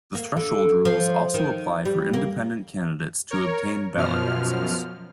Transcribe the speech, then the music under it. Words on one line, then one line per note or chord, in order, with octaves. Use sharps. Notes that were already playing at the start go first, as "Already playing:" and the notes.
The threshold rules also apply for independent candidates to obtain ballot access.
A#3
D3
F3
D#3
G3
A#3
A#4 C#5
F#2 B2 F3 F6